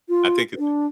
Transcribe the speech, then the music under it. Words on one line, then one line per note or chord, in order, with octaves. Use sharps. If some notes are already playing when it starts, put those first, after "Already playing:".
I think it's
F4
D4